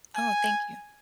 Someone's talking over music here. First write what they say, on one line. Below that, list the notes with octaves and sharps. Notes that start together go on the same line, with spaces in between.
Oh, thank you.
G#5